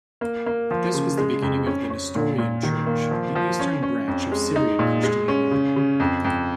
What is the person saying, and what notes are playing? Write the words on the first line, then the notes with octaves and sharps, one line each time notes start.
This was the beginning of the Nestorian Church, the eastern branch of Syrian Christianity.
A#3
A#3
F3
C#3
G#3
F2
C#4
C#4
A#2
A#2
D#3
A#3
F3
F3
C#4
C#4
F2
G#3
D#4
A#2
G#3
C#4
C#3
C#3
F2
F2